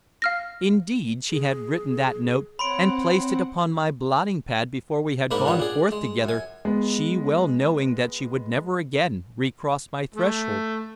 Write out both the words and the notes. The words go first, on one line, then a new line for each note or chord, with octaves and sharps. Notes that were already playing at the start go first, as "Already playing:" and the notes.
Indeed, she had written that note and placed it upon my blotting-pad before we had gone forth together, she well knowing that she would never again re-cross my threshold.
F5 F6 A#6
G#4
C4 C#5 F#5 B5 C6 D7
G#2 A#3 D4 A#4 B5 C#6
G2 A#2 C#4 F#5
D4 G#4
G#3
F#2 G#5
G#3 B3
A3